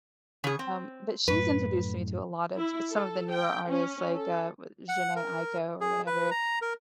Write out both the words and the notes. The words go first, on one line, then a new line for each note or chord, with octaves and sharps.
um but she's introduced me to a lot of some of the newer artists like, uh, Jheńe Aiko, or whatever.
C#3 G#4
C4
F#2 A2 B4
E4
A4
G5
C#4
A4
F#5
A#4
G#4
B4
A#5
A#4